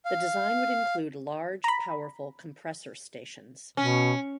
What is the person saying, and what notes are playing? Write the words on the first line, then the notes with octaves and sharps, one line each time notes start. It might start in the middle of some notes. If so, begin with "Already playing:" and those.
The design would include large, powerful compressor stations.
F5
A#5 B5
B2 C#4